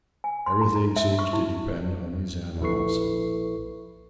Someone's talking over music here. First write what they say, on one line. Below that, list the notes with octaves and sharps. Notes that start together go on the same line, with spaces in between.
Everything seems to depend on these animals.
G#5
C6
A#5
A#5
E5
C#6
E4
A#1 E4 A4 B4 C#6 C7